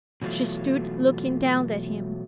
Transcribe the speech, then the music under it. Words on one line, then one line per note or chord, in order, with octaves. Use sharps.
She stood looking down at him.
B2 E3 F#3 A3 F4